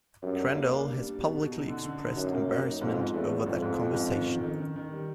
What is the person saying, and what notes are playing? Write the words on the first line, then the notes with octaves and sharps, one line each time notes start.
Crandall has publicly expressed embarrassment over that conversation.
F#2 G3
D4
A#3
D4
G3
G3
B2
B2
D#4
D3
D3
D#4
F#2 F#3
A#3
F#3
D#4
F2 G#2
G#2
E2 A3
F3
F2 G#2
G#2
F3
G#2
D#3
D#3
D#3
D#3
D#3
G3